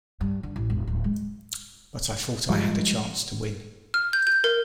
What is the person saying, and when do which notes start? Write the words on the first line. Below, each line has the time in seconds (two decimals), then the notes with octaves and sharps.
But I thought I had a chance to win.
0.21 G2
0.43 D3
0.56 A1
0.70 E1
0.87 D1
1.04 G#3
2.50 F3 G3 G#3
3.94 F6
4.13 G6
4.27 G6
4.44 A#4